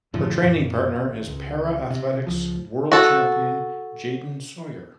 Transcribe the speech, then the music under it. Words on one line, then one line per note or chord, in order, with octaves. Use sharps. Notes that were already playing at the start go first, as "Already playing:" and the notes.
Her training partner is Para Athletics World Champion Jayden Sawyer.
F#2 A2 D3 F3
F#2 A#2
G#1
C#2
C3
C#2 F3
F#4 A4